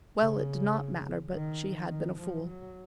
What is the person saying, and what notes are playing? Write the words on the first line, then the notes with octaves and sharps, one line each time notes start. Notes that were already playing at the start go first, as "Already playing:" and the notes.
Well, it did not matter, but she had been a fool.
C#3
D#3
D#3
F3
F#3